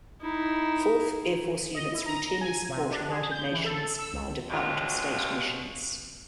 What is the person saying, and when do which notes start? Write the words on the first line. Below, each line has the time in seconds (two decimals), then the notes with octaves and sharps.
Fourth Air Force units routinely support United Nations and Department of State missions.
0.22 D#4 E4
1.75 D#5
1.92 E4
2.06 A#5
2.41 G#5
2.69 C3
2.91 D4
3.09 G#4
3.31 G6
3.52 E3
3.64 A4
3.99 E6
4.13 C#2
4.50 D2 B2 F#3 G#3 F4 G4